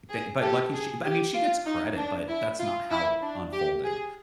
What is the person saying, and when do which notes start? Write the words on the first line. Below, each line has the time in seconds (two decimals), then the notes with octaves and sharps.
thank but lucky she but I mean, she gets credit, but that's not how it unfolded,
0.10 G#4
0.41 G4 A4
0.73 G#4
1.03 G4
1.34 F4
1.66 D#4
1.96 D4
2.28 E4
2.59 F4
2.91 E4
3.22 D4
3.53 G4
3.84 G#4